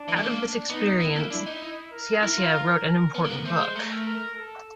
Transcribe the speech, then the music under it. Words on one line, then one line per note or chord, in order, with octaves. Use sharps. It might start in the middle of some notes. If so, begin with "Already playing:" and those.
Out of this experience, Sciascia wrote an important book.
Already playing: D4
E3
A3
A#3
D4
B3 D#4
B3 E4
A#3
D4 E4
D#4
E4
A#4
E4
F4
B3 A#4
A#3
B3
A3 C5
G#3
A3 A#4
A#4
A4